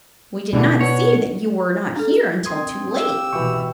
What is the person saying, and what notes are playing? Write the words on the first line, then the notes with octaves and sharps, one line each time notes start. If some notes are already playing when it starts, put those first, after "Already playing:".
We did not see that you were not here until too late.
E2 B2 D3 E3 D4
B3 C#5
D4 A4
C4 C6 D#6 G#6
G4 C5 F5 E6
B2 E3 F#4 G5 C#6